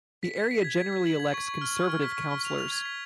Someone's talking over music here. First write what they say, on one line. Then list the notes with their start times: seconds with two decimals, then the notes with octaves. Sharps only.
The area generally elects Conservative Councillors.
0.23 B6
0.37 B6
0.51 B6
0.64 G#6
0.78 G#6
0.93 B6
1.06 F#7
1.20 G#6
1.34 C#6
1.48 C#6
1.61 F6
1.75 C#6
1.89 F6
2.03 B6
2.17 C#6
2.31 F6
2.45 F7
2.58 F7
2.72 G#6
2.85 B6